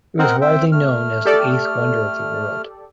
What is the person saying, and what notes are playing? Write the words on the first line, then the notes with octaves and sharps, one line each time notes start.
It was widely known as the "Eighth Wonder of the World".
C4 A#4 D#5 F#5
C5 E5 G5
A3 F6
G4 A4 D5